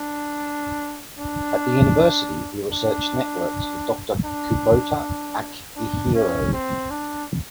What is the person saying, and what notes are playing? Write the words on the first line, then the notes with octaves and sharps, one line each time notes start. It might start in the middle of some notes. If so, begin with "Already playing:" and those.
At the university he researched networks with Doctor Kubota Akihiro.
Already playing: D4
D4
D4
D4
D4
C#4
C4
D4